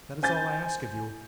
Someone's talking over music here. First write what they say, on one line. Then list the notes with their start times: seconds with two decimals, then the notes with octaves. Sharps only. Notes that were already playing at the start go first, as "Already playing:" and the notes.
That is all I ask of you.
0.22 C5 G#5 G6 A6